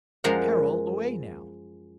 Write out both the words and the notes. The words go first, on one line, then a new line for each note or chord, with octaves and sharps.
"Carol away, now!"
F#2 F3 G#3 A#4 F5 F#5